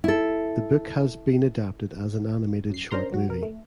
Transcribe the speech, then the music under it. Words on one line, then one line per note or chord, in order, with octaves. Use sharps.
The book has been adapted as an animated short movie.
E4 A4
F#2 C7
C#4 D4 A#4 C5 A#5 C6
G2 F#3 F#4
B2 A#4
A3